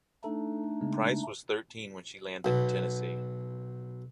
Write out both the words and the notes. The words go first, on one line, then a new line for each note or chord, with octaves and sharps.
Price was thirteen when she landed in Tennessee.
A3 D4 D#4 A4
C#3 G#3 B3
B1 B2